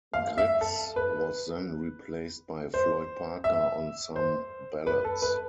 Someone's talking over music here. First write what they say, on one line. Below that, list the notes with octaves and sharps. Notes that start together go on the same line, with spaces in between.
Gritz was then replaced by Floyd Parker on some ballots.
F5
E5
A4
B4
C5
E5
C5
B4
A4
B4